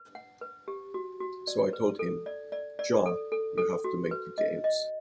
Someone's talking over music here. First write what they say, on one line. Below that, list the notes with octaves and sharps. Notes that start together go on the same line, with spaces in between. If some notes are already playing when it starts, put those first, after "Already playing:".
So I told him, 'John, you have to make the games.
Already playing: B4
F#5
B4
G4
F#4
F#4
D5
B4
A4
D5
D5
D5
A4
A4
A4
F#4
B4
D#5
D#5